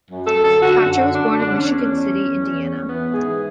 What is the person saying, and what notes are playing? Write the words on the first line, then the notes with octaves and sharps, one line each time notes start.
Hatcher was born in Michigan City, Indiana.
F#2
F#2 A4
D3 A4
D3 F#4
F#2
D3
F#2 D4
D3
D4
E2 C#4
E2
E2
E2
E2
E2
E3
E2
E3 B3
G#2
G#4
E3